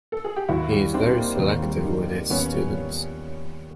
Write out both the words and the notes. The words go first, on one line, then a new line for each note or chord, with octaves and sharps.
He is very selective with his students.
A4
G#4
G4
D#2 E4 F#4
G3
D#3 C4 D4
A#3
D#2
G3
D#3
A#3
D#2 B3 C#4
G3